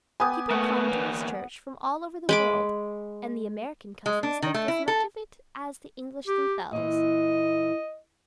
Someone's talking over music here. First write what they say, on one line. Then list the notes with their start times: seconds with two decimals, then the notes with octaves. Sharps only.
People come to this church from all over the world, and the American cousins think as much of it as the English themselves.
0.20 B3 G4 G#5 D#6
0.51 A3 A#3 B4 F#5
0.88 E2 A#3
2.29 G#3 B5 D6
4.06 G#3
4.23 D4
4.42 D#3
4.54 A3
4.68 E4
4.88 A4
6.27 G4
6.71 A#2 E3 D#5